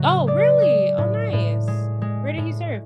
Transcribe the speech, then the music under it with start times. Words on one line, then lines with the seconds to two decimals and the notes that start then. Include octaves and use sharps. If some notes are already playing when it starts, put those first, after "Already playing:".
Oh, really? Oh, nice. Where did he serve?
Already playing: A2 C#3 F#3
0.27 G#3 D5
0.62 G#3
0.98 A2
1.33 A2
1.68 G#3
2.02 G#3
2.37 A2